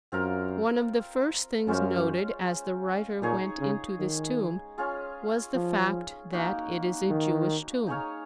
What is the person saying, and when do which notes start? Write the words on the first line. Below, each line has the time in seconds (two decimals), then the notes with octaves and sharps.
One of the first things noted as the writer went into this tomb was the fact that it is a Jewish tomb.
0.12 F#2 C4 F4 A#4 F5
1.67 F#2 G#3 C#4 F4 C5
3.22 A#2 D#4 G#4 C#5
3.61 C#3
4.00 D#3
4.78 C#4 F4 G#4
5.55 F3
6.32 A#3 D#4 F#4
7.10 D#3
7.87 D#4 G#4 C#5 F5